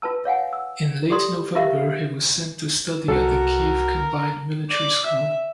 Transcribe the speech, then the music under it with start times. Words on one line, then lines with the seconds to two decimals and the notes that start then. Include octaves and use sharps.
In late November he was sent to study at the Kiev Combined Military School.
0.02 F4 B4 A5 E6
0.25 C#5 F5 F#5 G#5
0.53 E6
1.10 G4 A4 D5 C6 D#6
1.55 E4 F4 G4 A#4 E5 F5
3.08 C2 F#4 A4 A#4
4.70 D5
5.05 E5